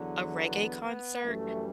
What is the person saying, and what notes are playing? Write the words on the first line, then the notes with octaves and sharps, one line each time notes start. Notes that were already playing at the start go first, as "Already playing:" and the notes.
a reggae concert,
Already playing: E2 D3 F#3
B3
B3
F#2 E3 G3 A3